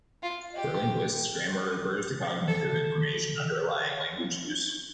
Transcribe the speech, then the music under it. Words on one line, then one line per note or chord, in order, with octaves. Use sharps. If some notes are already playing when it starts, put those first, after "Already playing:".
For linguists, grammar refers to cognitive information underlying language use.
F4
G4
A4